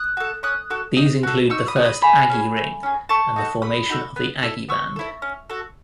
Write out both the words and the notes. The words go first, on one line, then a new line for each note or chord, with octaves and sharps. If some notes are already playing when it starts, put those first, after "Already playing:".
These include the first Aggie Ring and the formation of the Aggie Band.
Already playing: D#6 F#6
F#4 A4
C#4 D#6 F#6
F#4 A4
D#4
F#4 A4
D#4 C#6 E6
B5 D#6
F#4 A4
B5 D#6
A3 G#5 B5
C#4 G#4
A3
C#4 G#4
A3 A5 C#6
D#4 F#4 A4
A3 B5 D#6
D#4 F#4 A4
B3
E4 A4
B3 C#6 E6
E4 A4
C#4
F#4 A4